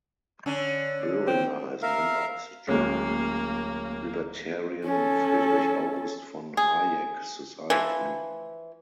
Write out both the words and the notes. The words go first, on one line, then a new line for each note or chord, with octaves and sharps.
Boehringer is member of the German libertarian Friedrich August von Hayek society.
D3 C#4
C4
A#4 E5 F5
D1 G#3 A#3 C#4
C#4 A4
G#4
E3 F3